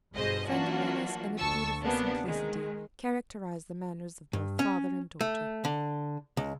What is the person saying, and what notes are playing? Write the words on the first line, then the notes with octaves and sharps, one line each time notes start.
Friendliness and a beautiful simplicity characterized the manners of both father and daughter.
G1 B2 G#4 C5 D#5
E3 F#3 A#3 D4 F4 F#4
D2 A5 C#6 E6
C3 A#3 B3 C#4 D4
D#3 G#3
G2
C#4
A3
D3
C#2